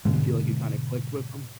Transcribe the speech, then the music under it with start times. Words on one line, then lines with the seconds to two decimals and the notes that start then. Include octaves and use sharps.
You feel like you kinda clicked with 'em?
0.05 G#2 B2 D3 G#3